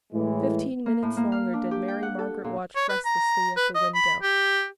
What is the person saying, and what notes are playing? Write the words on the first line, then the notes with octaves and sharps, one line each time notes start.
Fifteen minutes longer did Mary Margaret watch restlessly at the window.
A2 E3 G#3
A#3
A2
A#3
F5
D4
G4
G5
F#5
A4
A#2
C#5
B4
A#5
B4
D#5
B5
G4